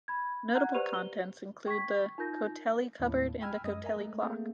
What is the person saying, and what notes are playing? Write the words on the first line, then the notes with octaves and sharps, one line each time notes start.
Notable contents include the Cotehele cupboard and the Cotehele clock.
B5 G#6
F#5 A#5 F6 F#6 G#6
G4 B4 C5 D5 D#7 F7
G7
G5 C#6 G#6 B6
D#4 F4 A#4 G6 A#6
D#2 A2
G5 G#5 B5 E6 F6 G#6
F#2 G#3 D#5 D#6
A#4 D#5 E5 G#5 A#5
G#3 A3
A3 A#3 C4 G#4